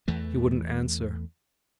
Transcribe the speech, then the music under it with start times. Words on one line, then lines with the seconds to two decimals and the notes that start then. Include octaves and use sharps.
He wouldn't answer.
0.08 E2 E3 A3